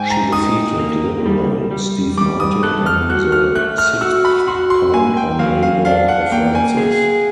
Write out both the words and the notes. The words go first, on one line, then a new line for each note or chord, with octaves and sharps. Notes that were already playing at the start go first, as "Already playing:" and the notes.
She defeated Liberal Steve Martin on the sixth count on Labor preferences.
Already playing: G#2 G5 G#5
A#5
D#4 D#6
A#3
G3
G3
G3 D6
D#6
A4 F#6
F6
F#4 F#6
F6
A3 F#6
F6
F#4 E6
B5
F#4 C6
C6
A#3 G#5
G5
F#3 F5
F5
D4 F5
F#5
A#3 G5
G#5
G#4